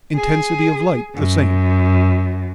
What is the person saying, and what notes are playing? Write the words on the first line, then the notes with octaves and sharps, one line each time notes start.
Intensity of light the same.
G#4
F#2